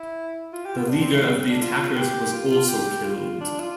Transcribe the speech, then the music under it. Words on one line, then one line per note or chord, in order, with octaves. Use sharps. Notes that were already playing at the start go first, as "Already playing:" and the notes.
The leader of the attackers was also killed.
Already playing: E4
F4
G4
F4
D4
C4
A3
G3
G3
D4
F4
G4
F4
F4
G4
F4
D4
F4